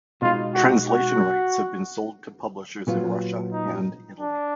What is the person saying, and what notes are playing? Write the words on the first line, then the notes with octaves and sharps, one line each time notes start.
Translation rights have been sold to publishers in Russia and Italy.
B2 G#3 D#4 F4
F#4
F#4
A#2 F#3 B3 F4
D#4
D4